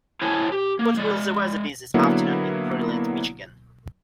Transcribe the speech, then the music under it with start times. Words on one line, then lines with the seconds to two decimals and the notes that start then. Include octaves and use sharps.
What will the weather be this Afternoon in Brilliant Michigan?
0.22 E4 G#4 C5 C#5 G#5 A5
0.52 G4
0.79 A#3
0.97 G#3 D5
1.94 D3 F#3 A#3 B3 E4